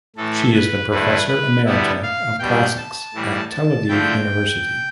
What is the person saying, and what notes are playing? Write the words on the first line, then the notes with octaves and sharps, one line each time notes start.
She is the professor emerita of Classics at Tel Aviv University.
A2 E3 A3 A4
B4
G2 D3 A3 E4 B4
B4
D3 G3 B3 E4
F5
B2 G3 D4 G5
A5
A2 E3 G3
A5
D3 F3 A3 C4 E4 G5